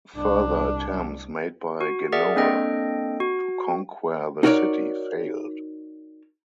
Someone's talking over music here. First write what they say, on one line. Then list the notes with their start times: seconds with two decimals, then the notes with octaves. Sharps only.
Further attempts made by Genoa to conquer the city failed.
0.16 C2 D4
1.81 F#4
2.12 G#4 A#4 D5 E5 F#5
2.36 A#3 C4 D4 A4 D#5 G5
3.20 F#4
4.43 D#4 F#4 A#4 B4 C#5 D5